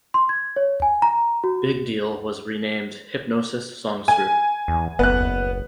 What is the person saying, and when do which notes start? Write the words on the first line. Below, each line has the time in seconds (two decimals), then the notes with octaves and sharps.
Big Deal was renamed Hipgnosis Songs Group.
0.14 C6
0.29 G#6
0.56 C#5
0.82 G#5
1.02 A#5
1.44 F#4
4.08 G#5
4.68 E2
4.99 F#1 B3 F#6